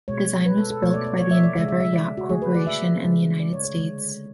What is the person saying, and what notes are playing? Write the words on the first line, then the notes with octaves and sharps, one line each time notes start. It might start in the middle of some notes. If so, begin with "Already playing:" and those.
The design was built by the Endeavour Yacht Corporation in the United States.
B2 G#3 C#5
B4
A4
A4
B2 A3 C#5
D5
D5
C#5
E5
D5
C#3 G#3 E5
E5
E5
D5
F#4
D3 A3 G#4
B4
D5
E5
C#3 G#3
D5
C#5
C#5
D3 G#3